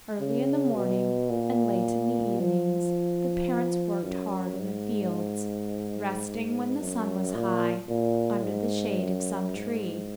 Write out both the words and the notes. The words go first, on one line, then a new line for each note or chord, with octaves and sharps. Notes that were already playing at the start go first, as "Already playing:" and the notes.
Early in the morning and late in the evenings the parents worked hard in the fields, resting, when the sun was high, under the shade of some tree.
C#3
B2
A#2
F3
F#2
G#2
F#2
A#2
A#2
G#2
F#2
G#2